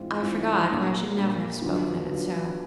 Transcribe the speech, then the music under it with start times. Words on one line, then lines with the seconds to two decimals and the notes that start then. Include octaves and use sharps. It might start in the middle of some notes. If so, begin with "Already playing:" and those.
I forgot, or I should never have spoken of it so.
Already playing: G#2 E3 G#3 C4 F4
0.22 G#2 E3 G#3 C4 F4
0.69 A#2 G3 A#3 D4
1.15 A#2 G3 A#3 D4
1.61 D3 F#3 B3 D4 F4
2.09 D3 F#3 B3 D4 F4